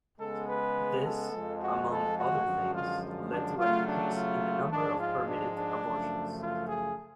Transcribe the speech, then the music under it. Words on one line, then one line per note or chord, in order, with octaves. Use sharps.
This, among other things, led to an increase in the number of permitted abortions.
C#3 G#3 B3 A4
B4
A4
F2 F3 G#3
F#4
A4
F#4
F#2 D3 F3 G#3
F4
D4
C#3 F#3 A3 F4
D4
F4
G#2 F3 G#3 D4
F4
D4
D4
F#2 C#3 F3 A3
F4
G#4